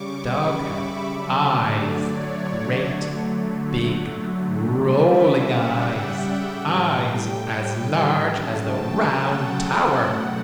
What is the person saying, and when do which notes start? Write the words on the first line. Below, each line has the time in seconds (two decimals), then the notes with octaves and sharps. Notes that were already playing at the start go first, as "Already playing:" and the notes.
The dog had eyes, great big rolling eyes, eyes as large as the Round Tower.
Already playing: C#3 G3 C#6 D6
0.20 B5
0.65 E5
1.09 D3 F#3 A3 D5
1.39 D5
1.69 D5
1.99 C#5
2.89 D3 F#3 A3
4.67 C#3 G3 D5
4.97 E5
5.27 F#5
5.57 G5
6.01 G5
6.46 A2 G3
8.25 C#3 F#3 A3 A5
8.70 G5
9.14 F#5
9.44 G5
9.74 F#5
10.04 B2 F#3 A3